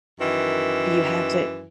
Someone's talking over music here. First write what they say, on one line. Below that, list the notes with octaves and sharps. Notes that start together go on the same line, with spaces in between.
You have to
F#2 D#3 E3